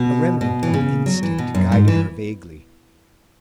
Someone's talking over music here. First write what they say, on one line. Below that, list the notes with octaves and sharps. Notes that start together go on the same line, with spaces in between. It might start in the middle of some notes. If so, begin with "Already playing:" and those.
A remnant of instinct guided her vaguely.
Already playing: B2
B2
E3
C#3
F#3
E3
B2
F#2
G#2
E3